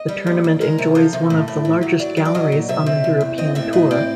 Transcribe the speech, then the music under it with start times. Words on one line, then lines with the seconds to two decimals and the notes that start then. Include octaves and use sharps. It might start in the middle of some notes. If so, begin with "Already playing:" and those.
The tournament enjoys one of the largest galleries on the European Tour.
Already playing: D#5
0.08 G3
0.27 D#2
0.44 D#2
0.61 G#3 A#4
0.78 C3
0.95 F3 A4
1.13 C3
1.30 A2
1.48 A2
1.65 A2
1.83 F#3
1.99 F#3 D5
2.17 F#3
2.25 D5
2.35 F#3 D#5
2.52 A#2
2.69 C3 E5
2.86 C3
3.04 E2
3.21 E2
3.38 C4 D#5
3.55 A2 E5
3.73 A2 D#5
3.91 C4 D5